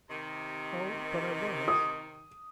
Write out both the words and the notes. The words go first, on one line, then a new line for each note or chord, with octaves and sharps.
"Oh, but I was."
C3 D#3
D#6